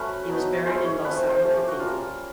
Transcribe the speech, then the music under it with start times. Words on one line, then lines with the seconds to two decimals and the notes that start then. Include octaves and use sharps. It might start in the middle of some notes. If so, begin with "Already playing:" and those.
He was buried in Lausanne Cathedral.
Already playing: F#3 A3 C#4 B4
0.28 F#3 B3 D#4
0.66 G#3 C#4 E4 C5
0.85 C#5
1.04 A3 C4 F4 B4
1.17 C5
1.29 C5
1.42 A3 C#4 F4 G4
1.55 G4
1.68 F#4
1.80 G3 A#3 C#4 F4